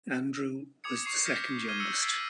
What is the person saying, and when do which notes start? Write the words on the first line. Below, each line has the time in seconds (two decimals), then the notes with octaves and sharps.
Andrew was the second youngest.
0.84 D6 D#6 G#6 C#7
1.05 C#6 C7 C#7
1.25 F6 G6 A#6 B6 C#7 E7
1.68 D6 F6 G#6 D#7 G7
1.80 E6 A#6 C#7
2.02 E6 G#6 A6 B6 C7 D7